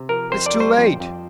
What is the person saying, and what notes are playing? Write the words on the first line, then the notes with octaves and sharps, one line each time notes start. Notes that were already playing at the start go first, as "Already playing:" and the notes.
"It's too late!"
Already playing: C3
F3 A#4
F2 C5
D5
G3
C5
F2
F2